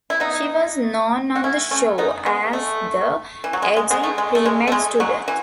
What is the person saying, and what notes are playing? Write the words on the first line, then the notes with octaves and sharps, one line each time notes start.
She was known on the show as the "edgy pre-med student".
E4
B3 D#4
F#4
C#4 E4
A3 C#4
B3 D#4
G#3 B3
A3
E3
F#3
G#3
G#3
G#3 B3
A3
G#3
A3
G#3
A3
G#3
F#3
E3